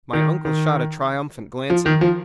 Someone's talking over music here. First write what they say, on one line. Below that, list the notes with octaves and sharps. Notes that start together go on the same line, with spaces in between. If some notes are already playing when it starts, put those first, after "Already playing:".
My uncle shot a triumphant glance at me.
D#3
D#3
F3
D#3
F3